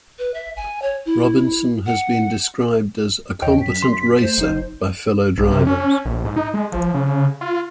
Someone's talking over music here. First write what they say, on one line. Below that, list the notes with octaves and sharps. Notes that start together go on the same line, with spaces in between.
Robinson has been described as "a competent racer" by fellow drivers.
B4
E5
G#5
C#5
E4
F#5
E2 C#5 D#5 G5
F#2 B6
C6
A3 C5
F#1 B1 D#4
B1
C3
C#4
A#1
G#2
D#4
G#3
F3
C#3
F4